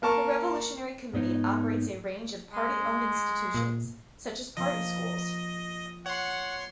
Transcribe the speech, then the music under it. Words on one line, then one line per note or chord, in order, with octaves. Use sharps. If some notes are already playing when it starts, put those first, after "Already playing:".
The Revolutionary Committee operates a range of party-owned institutions, such as party schools.
A#3 A#4 A5 C#6
G#2 B3 D#4 C#5
G#3
A#2
F3 A#3 D#5
C#5 F#5 C6